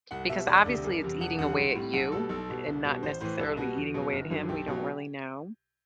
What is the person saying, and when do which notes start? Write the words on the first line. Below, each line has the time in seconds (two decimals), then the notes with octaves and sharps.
because obviously, it's eating away at you and not necessarily eating away at him. We don't really know.
0.11 C2 F#5
0.29 B2 G3 E5
0.47 E1 D5
0.66 D2 C3
0.84 F#1
1.01 E2 C3 G3
1.21 E1 F#5
1.38 E2 D3 G3 F#5
1.57 B1
1.75 A2 G3
1.93 B1 F#5
2.12 B2 G3 A4
2.29 B1 A4
2.49 B2 G3
2.67 C2
2.85 B2 G3
3.03 A1 C5
3.21 A2 E3 C5
3.39 C2 A4
3.57 B2 G3 F#4
3.76 E2
3.94 B2 F#3
4.12 G1
4.30 F#2 D3 F#3
4.49 B1 G4
4.67 B2 F#3